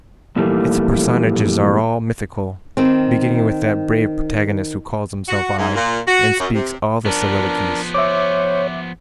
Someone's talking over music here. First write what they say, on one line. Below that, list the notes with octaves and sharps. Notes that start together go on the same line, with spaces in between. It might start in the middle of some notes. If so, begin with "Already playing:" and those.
Its personages are all mythical, beginning with that brave protagonist who calls himself I and speaks all the soliloquies.
F2 A#2 E3 G3 A3 A#3
D#3 C4
F#4
G#2
A#2
F#4
F#2
C3
F3 B3 D4 A#4
C5 C#5 E5 D6